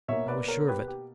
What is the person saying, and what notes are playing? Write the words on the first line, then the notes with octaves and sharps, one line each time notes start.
I was sure of it.
B2 A#3 C#5 E5
B4 D5
A#4 C#5
G4 B4
G4